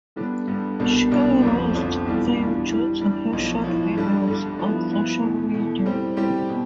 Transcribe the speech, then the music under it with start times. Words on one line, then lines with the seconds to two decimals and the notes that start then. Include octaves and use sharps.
She rose to fame due to her short videos on social media.
0.16 G2 D3 G3 B3 D4
0.48 G2 D3 G3 B3 D4
0.79 C2 B2 G3 B3 D4
1.11 C2 B2 G3 B3 D4
1.42 G1 F2 D3 F3 C4
1.74 G1 F2 D3 F3 C4
2.06 E2 B2 G3 D4 F4
2.38 E2 B2 G3 D4 F4
2.69 A2 E3 G3 D4
3.01 A2 E3 G3 D4
3.33 B1 A2 F3
3.64 B1 A2 F3
3.95 G2 D3 G3 D4
4.28 G2 D3 G3 D4
4.59 G2 F3 B3 E4
4.90 G2 F3 B3 E4
5.23 E2 B2 A3
5.54 E2 B2 A3
5.86 A2 G3 C4 G4
6.17 A2 G3 C4 G4
6.49 B2